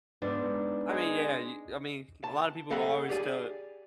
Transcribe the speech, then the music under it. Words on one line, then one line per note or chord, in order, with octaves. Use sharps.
I mean, yeah, y I mean, a lotta people will always tell
G#2 B3 D4
G#3
A5
A4 D#5 F5 F#5 B5
G4 G#4 D5 G#5